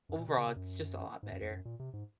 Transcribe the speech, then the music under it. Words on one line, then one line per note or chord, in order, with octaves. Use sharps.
Overall, it's just a lot better,
F#2
A#2
C3
C#3
C3
F#2
G#2
F#2
F2
F#2
A#2
C3
G#2